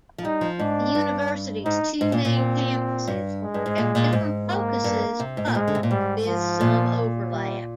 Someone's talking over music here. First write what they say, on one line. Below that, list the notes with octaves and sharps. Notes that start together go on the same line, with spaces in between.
The university's two main campuses have different focuses but with some overlap.
F3
G3 D#4
F3
G#2 D4
G2
G#2 D#4
G#2
A#2
A#2
C4
G2
G#3
G2
G#2
A#2
A#2
G#2
A#3
G2
C3
G#2
A#2
G#2 G#3
D3
C3
A#2
G#2 G3
F3
A#2
G3